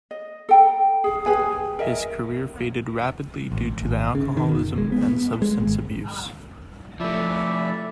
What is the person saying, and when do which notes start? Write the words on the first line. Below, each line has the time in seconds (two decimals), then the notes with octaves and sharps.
His career faded rapidly due to alcoholism and substance abuse.
0.11 D#5
0.49 A4 G5 A#5
1.04 G#4
1.26 G4 G#4 B4 G#5
1.79 A#4 D#5 E5 G#5
3.52 A1
3.83 G#1
4.15 C#3
4.37 D#3
4.53 F#1
4.78 G#3
4.92 B3
5.42 G#3
5.60 G#1
7.00 F3 A3 E4 D5 E5